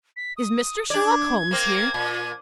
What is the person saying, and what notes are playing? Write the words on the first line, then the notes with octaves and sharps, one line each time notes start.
"Is Mr. Sherlock Holmes here?"
B6
D#6
D4 D5 G#6
A#3 C4
A#2